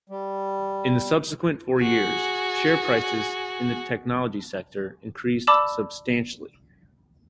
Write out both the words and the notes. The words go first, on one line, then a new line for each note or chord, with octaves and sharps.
In the subsequent four years, share prices in the technology sector increased substantially.
G3
F#4 G#4
D5 A5 B5 D6 E6 E7